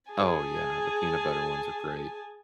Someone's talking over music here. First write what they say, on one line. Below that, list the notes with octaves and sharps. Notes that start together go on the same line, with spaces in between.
Oh, yeah, the peanut butter ones are great.
G#4 G#5 A5